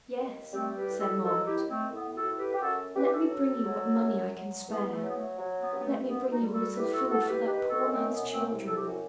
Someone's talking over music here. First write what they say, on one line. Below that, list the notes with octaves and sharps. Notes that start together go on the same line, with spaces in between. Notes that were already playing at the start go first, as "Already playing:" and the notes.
'Yes!' said Margaret. 'Let me bring you what money I can spare,--let me bring you a little food for that poor man's children.
D#2
G3 A3 C4
G4 B4
A2
F#4 A4
D#3 F#4 A4
E4 G4
D#2
A3 C4
A2 B3
F#4 A4
A2
G4 B4
G4
F#2 F#4 A4
E3 G4 B4
G4
F#4 A4
F#3
F#3
F#2
F#3
E2 B3
A3
F#3
B3
A3
F#3
B3
G2
B3
A3
D#2 B3
D#4 F#4
G3
F#4 A4
A2 G4 B4
F#4 A4
A2 F#4 A4
G4 B4
D#3 G4 B4
F#4 A4
F#2
A3 C4
B2 B3
A3 C4
C2
A4
G4
F#2 F#4